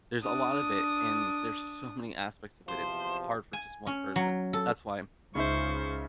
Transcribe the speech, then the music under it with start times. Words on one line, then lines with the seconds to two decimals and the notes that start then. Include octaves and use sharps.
There's a lot of it, and there's so many aspects of it, it's hard for just one person. That's why
0.22 D4 D#6
2.68 E2 C3 F3 C5
3.53 G#5
3.87 C#4
4.16 F#3
4.53 A4
5.35 C#2 C#3 D#4 C5 E5 C#6